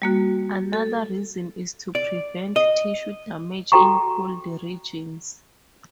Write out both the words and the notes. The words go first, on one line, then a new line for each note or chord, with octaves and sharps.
Another reason is to prevent tissue damage in cold regions.
G3 A#3 F#4
A4
D5
D#5
F#4 A4 G5 A#5 C#6